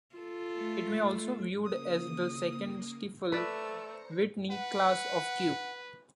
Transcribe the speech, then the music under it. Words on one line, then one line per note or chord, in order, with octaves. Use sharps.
It may also be viewed as the second Stiefel-Whitney class of "Q".
F4 A4
A3
C#3 A#3 D#6
A3 B4 C5 D5 A#5 E6 C#7
B4 F#5